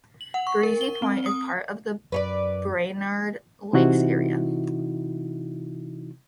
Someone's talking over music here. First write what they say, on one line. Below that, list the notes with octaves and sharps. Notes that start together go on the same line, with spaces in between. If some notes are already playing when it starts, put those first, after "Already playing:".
Breezy Point is part of the Brainerd Lakes Area.
F#7
F#5
C#6
A#4
G7
C4
D#6
F#2 B4 C#5 D5
C3 E3 D#4 E4 F#4